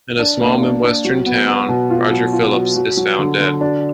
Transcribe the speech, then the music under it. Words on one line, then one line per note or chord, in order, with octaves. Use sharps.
In a small Midwestern town, Roger Phillips is found dead.
D4
A#3
D4
D4
F#3
B3
B3
B2
F4
F#3
F4
F#3
F#3
F#3
D3
D3
D4